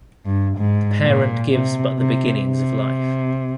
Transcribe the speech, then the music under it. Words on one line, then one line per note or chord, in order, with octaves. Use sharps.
The parent gives but the beginnings of life.
G2
G#2
A#2
C3
C3
C3